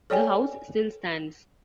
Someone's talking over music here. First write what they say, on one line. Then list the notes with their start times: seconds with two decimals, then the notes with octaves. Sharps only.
The house still stands.
0.10 A4 C#5 D5 G5 G#5